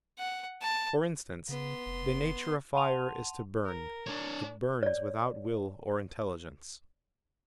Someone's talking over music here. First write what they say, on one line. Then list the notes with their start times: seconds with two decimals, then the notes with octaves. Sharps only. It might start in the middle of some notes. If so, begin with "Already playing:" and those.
For instance, the nature of fire is to burn; it burns without will or intelligence.
0.18 F#5
0.62 A5
1.49 C#3 B3 C6
1.86 F1
2.75 F#5 A5 C6 D#7 F7
3.64 A#4
4.07 D4 C#5
4.83 C#5 D5